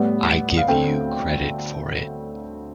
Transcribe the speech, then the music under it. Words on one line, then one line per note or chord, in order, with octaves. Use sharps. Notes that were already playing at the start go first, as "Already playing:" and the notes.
I give you credit for it.
Already playing: A2 G3 B3
F5
D2 D3 A3 C4 G5